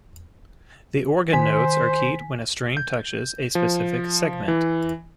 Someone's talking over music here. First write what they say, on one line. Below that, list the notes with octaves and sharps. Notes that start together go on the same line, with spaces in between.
The organ notes are keyed when a string touches a specific segment.
D#3 C5 G#5 B6
G6
F3
E3